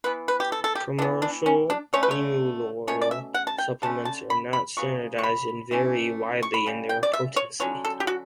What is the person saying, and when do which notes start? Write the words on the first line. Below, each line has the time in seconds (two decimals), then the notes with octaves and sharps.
Commercial emu oil supplements are not standardized and vary widely in their potency.
0.04 E3 B3 B4
0.28 B4
0.40 G4
0.52 A4
0.64 A4
0.75 G4
0.99 E3 B3 D4
1.22 D4
1.46 C#4
1.70 D4
1.93 D3 A3 C#4 C#5
2.03 B4
2.11 C#5
2.87 B2 A3 C#4 C#5
3.02 D5
3.11 E5
3.34 F#5
3.47 A5
3.58 G5
3.82 D3 A3 C#4 A5
4.05 A5
4.30 B5
4.53 B5
4.77 C#3 F#3 B3 C#6
5.18 C#6
5.23 B5
5.71 E3 A3 C#4
6.43 C#6
6.54 B5
6.66 C#3 G3
6.89 G5
7.03 D5
7.13 E5
7.36 C#5
7.60 D3 F#3 C#4 C#5
7.85 A4
8.00 G4
8.07 F#4